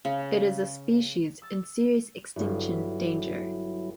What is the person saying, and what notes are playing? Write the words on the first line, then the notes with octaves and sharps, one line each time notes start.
It is a species in serious extinction danger.
C#3
E6 A6
G1 G2 F#3 E4